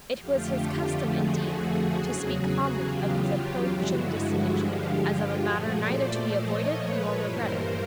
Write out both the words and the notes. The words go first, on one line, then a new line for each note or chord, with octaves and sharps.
It was his custom, indeed, to speak calmly of his approaching dissolution, as of a matter neither to be avoided nor regretted.
F2 D3 F3 A3 F4 G4
F#4 G#4
E2 C#3 F#3
F4 G4
G2 D3 F3 G#3 E4 F#4
F4 G4
A#2 F3 A3 F#4 G#4
C5 D5
C5 D5
C#5 D#5
B4 C#5
G2 E3 G3 A#3 A#4 C5